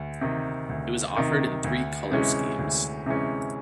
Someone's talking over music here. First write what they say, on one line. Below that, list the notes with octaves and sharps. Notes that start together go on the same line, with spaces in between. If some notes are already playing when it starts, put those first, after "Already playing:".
It was offered in three colour schemes.
Already playing: D2
C3 D#3
D2
C3 D#3
D2
C3 E3 G#3 C#4
D2
C3 E3 G#3 C#4